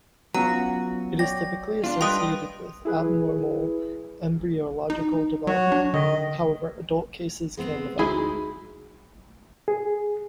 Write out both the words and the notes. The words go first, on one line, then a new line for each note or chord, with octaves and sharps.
It is typically associated with abnormal embryological development, however adult cases can develop.
F#3 B3 C#4 F4 F#4 A#5
C#5 D5 G5 A#6
G#3 D4 F4
G3 B4 D#5 G5 C6 D#6
E4 G#4 B4
D#4
F#3 F#4 C#5
D4
D3 D#3 D#5
G#3 B3 C4
D2 G#3 D#4 E4 F#4 G#4 B5
G#4